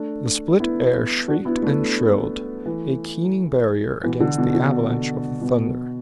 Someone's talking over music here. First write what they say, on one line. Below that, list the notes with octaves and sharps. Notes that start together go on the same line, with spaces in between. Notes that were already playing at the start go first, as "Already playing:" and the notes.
The split air shrieked and shrilled, a keening barrier against the avalanche of the thunder.
Already playing: A3 D4
B3 E4
D4 F#4
B3 E4
E4
A3 D4
E3 A3
B2 E3
D3
B2
D3
B2